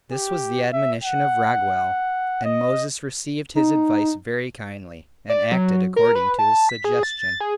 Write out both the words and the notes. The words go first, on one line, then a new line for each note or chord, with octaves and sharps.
This was the admonition of Raguel; and Moses received his advice very kindly, and acted according to his suggestion.
G4
E5
F#5
D#5
D#4
D5
F#3
A#4
B4
A5
B6
G#4
A6
G#4